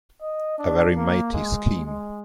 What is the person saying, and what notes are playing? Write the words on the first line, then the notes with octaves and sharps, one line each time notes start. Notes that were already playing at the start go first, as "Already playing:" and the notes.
A very matey scheme.
D#5
D4
A#3
G#3
G#3